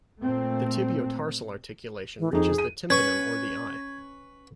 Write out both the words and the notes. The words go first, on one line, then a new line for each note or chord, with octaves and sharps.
The tibio-tarsal articulation reaches the tympanum or the eye.
A#2 A3 C4
E3
F2 D#4 G#4
D#7
C#4 B4 C#6 G#6